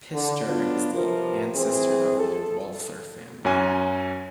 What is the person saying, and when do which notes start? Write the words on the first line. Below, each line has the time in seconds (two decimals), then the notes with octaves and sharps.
Pistor is the ancestor of the Walther family.
0.13 D3
0.46 F#3 B3 D4 F4
0.94 C3 F3 A#4 B4
1.54 E3 C4 G#4
2.19 A4
3.45 F#2 F#3 C#4 G#5